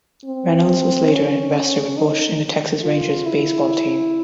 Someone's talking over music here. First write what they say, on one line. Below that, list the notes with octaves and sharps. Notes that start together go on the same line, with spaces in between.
Reynolds was later an investor with Bush in the Texas Rangers baseball team.
C4
C#4
D#4
F4
E4